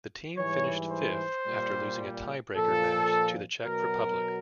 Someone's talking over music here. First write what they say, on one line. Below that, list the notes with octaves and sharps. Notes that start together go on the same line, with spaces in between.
The team finished fifth after losing a tie-breaker match to the Czech Republic.
G#2 E3 G3 C#5
C5
A#2 G3
A#2 F3 A4
B2 F#3 A#4